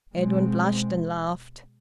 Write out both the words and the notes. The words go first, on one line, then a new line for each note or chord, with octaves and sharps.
Edwin blushed and laughed.
B2 G#3 C4